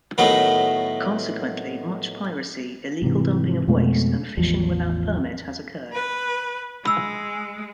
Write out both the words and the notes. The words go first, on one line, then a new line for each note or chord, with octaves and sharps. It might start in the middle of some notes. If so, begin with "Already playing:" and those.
Consequently, much piracy, illegal dumping of waste and fishing without permit has occurred.
A2 D#3 F#3 A3 B3
G#2 C3 E3
F2 B2 G#3 A3
A1 E2 F3
B4
G#3 B5 E6